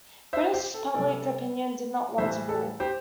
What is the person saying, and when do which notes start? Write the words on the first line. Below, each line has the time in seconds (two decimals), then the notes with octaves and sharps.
British public opinion did not want a war.
0.33 C5 E5
0.54 G4 C5
0.74 A4
0.94 C3 G3 A4 D5
2.18 A2 E3 G3 C5 E5
2.49 A4
2.80 G4 C5